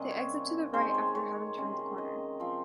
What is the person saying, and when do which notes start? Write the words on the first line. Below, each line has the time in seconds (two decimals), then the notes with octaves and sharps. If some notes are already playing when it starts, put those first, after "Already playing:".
They exit to the right after having turned the corner.
Already playing: C3 G3 A#3 C#4 D#5
0.11 C#5
0.73 D#3 G#3 C4 C5
0.94 C#5
1.15 C#5
1.57 C3 D#3 G#3 C#4
1.98 D#5
2.40 F3 C4